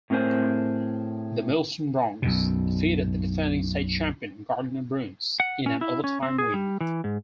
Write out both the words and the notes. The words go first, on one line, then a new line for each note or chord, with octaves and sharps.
The Melstone Broncs defeated the defending state champion Gardiner Bruins in an overtime win.
A2 C4 G#4 A#4 C5 G#5
B1 F#2 B2
F#5
C#4
E4
C#4
C4
G#4
G3
E3
G#2